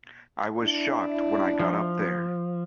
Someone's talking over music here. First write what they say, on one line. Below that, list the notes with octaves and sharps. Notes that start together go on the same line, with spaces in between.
I was shocked when I got up there.
D4 E4
F3